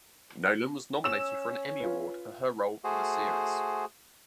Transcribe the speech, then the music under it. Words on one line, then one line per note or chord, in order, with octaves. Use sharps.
Nolan was nominated for an Emmy Award for her role in the series.
C#4 E6 E7
F4 B4
A3 F#4 G#4 C5